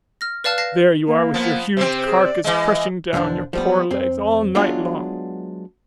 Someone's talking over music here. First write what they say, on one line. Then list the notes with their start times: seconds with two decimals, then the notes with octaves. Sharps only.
There you are with your huge carcass crushing down your poor legs all night long.
0.21 F6 A#6
0.44 B4 D5 F5 A5 F6 F#6
0.58 F5 A5 A#6 C7
1.07 A#3
1.34 F3 B3
1.77 C3 C4 C5
2.06 G#4
2.24 D5
2.44 E3 G#3 D#5
3.13 B1 E2 D3 F3 D4
3.53 F3 G3 B3
3.90 F2 C4
4.55 F#3 G#3 B3 D4 F4